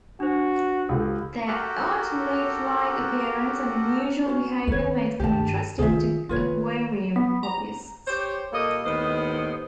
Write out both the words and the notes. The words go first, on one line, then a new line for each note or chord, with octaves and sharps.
Their odd, leaf-like appearance and unusual behavior make them interesting to aquarium hobbyists.
D4 F#4 C5
C#2 G4 A4
F#4 G4 A4 A#4
C#4 F#4 C5
D#3 B3 B4 C#5
G2 D#3 G4 A5
D#3 F4 G#4 C5 E5
D#3 A#3 F4 B4 C#5
B3
A#5
G4 C5 C#5
A#2 G3 A#3 A4 D#5
D#2 A2 D#3 B3 C5 D#5